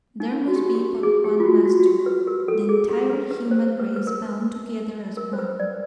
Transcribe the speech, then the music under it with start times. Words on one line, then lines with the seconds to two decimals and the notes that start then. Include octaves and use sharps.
There must be but one master--the entire human race bound together as one.
0.20 D#4
0.48 F#4
0.56 G4
0.66 F#4
0.75 G4
1.03 G#4
1.24 G4
1.40 F4
1.45 F#4
1.66 F#4
1.79 F#4
1.86 G4
2.06 B4
2.27 A#4
2.48 A4
2.69 G#4
2.89 G4
3.10 B4
3.31 B4
3.51 C5
3.80 B4
3.96 B4
4.07 A#4
5.17 A#4
5.33 C5
5.39 B4
5.60 D5